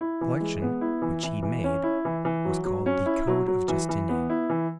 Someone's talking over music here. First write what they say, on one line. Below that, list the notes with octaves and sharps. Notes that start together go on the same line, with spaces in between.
The collection which he made was called the CODE OF JUSTINIAN.
E4
E3
G#3
B3
E4
E3
E3
E3
C#4
E4
E3
E3
F#3
F#3
C#4
E4
F#3
F#3
E3
E3
B3
E4
E3